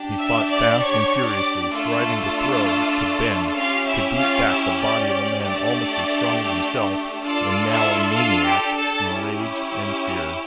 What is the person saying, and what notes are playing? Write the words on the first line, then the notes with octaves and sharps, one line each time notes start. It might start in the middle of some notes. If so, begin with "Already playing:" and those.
He fought fast and furiously, striving to throw, to bend, to beat back the body of a man almost as strong as himself, and now a maniac in rage and fear.
Already playing: D4 G4
E5 E6
D5 D6
C#5 C#6
D5 D6
A3 D4 F4 A4
C#4 F4 G4 F5
E4 E5
F4 F5
E4 E5
D5
D5
A3 D4 G4 D5
D4 F4 A4 D5
E4 E5
F4 F5
G4 G5
A4 A5
C#4 E4 G4